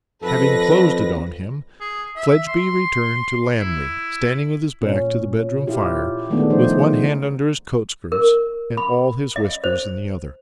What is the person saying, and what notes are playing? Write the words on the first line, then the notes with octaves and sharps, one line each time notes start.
Having closed it on him, Fledgeby returned to Lammle, standing with his back to the bedroom fire, with one hand under his coat-skirts, and all his whiskers in the other.
F2 A4 B4 A#6
G#4
E5
C6
E4
A#2 C#4
E4 F4 G4
D#3 G#3 A3 B3 D4
F3 D#4 C5
A#4
B5
D#5
C5